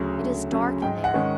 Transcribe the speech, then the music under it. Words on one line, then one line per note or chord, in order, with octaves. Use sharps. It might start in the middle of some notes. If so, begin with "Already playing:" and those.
It is dark in there.
Already playing: D2 C#3 F#3
D2
C#3 F#3
G#2 G5
F#5
D#3 G#3 C#4